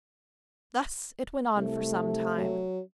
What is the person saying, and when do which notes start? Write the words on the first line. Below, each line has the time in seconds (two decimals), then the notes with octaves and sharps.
Thus it went on for some time.
1.56 C2 C3 A3
2.37 F#3